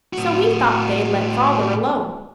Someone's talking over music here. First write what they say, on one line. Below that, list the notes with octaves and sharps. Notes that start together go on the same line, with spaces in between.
So he thought they'd let Father alone.
A2 F#4